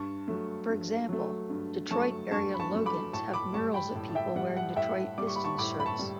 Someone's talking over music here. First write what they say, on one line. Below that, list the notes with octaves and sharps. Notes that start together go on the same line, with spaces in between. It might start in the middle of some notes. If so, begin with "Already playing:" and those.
For example, Detroit area Logan's have murals of people wearing Detroit Pistons shirts.
Already playing: G2 A5 C#6
F#3 A3
G2
F#3 A3
G2
F#3 A3 A5 C#6
G2 A5 C#6
B5
A5 C#6
F#3 A3
B5 D6
A2 A5 C#6
B5 D6
G3 A5 C#6
G5 B5
A2
A5
E5 G5
G3 F#5
F#5
A2 E5 G5
G3 D6
C#6
B5
A5 C#6
A2 B5 D6
B5
A5 C#6
G3